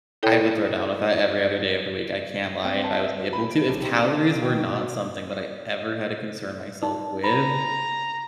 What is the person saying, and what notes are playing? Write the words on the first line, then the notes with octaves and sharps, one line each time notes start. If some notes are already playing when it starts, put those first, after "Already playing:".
I would throw down with that every other day of the week. I can't lie if I was able to. If calories were not something that I ever had to concern myself with.
E4 A4 C#5 G5
C4
A5
E5
F#4
B5
D7
B1
C3
D3
D7
D#3
B2
D#4
A#5 B5